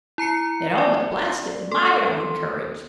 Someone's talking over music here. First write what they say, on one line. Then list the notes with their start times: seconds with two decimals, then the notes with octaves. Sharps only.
It all but blasted my own courage.
0.18 E4 A#5 C7 C#7
0.78 D5
1.72 A4 C6